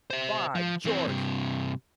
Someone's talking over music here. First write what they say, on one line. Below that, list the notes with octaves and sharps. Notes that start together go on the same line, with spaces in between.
By George!
C5 E5
F3
E3 C4
G2 C3